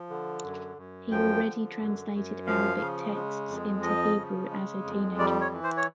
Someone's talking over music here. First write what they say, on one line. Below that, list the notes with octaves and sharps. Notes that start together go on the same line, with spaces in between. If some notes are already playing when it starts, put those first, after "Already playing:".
He already translated Arabic texts into Hebrew as a teenager.
Already playing: F3
D3
F#2
F#2
F3 G5
D3
F#2
F#2
F3 F5
C#3
G#3
F2
F3 D#5
C#3
G#3
F2
G3 D5
C#5
E3
C5
C#5